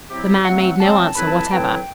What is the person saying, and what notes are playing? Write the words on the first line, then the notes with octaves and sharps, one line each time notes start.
The man made no answer whatever.
C3 F#3 C4 E4 G4
F#3 A3 C4 F#5
F#3 A3 C4 A5
A2 F#3 C4 E4 B4 B5
A5
A2 F#3 C4 E4 B4 G5